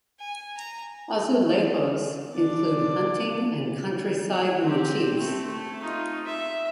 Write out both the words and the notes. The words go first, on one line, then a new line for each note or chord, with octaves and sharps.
Azulejos include hunting and countryside motifs.
G#5
A#5
D4 D5
C4 G4
A3 C4
A3
D#4 F4
E5